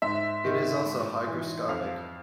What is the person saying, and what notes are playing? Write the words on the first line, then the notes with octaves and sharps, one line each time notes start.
It is also hygroscopic.
G#2 E5
D#3
G#2
E3
F2 F5